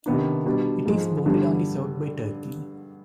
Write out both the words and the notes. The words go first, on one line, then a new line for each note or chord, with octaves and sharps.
It is bounded on the south by Turkey.
C3 D#3 B3 D4
B2 G3 B3 D4
G#2 F3 G#3
G2 D3 G3 B3 D4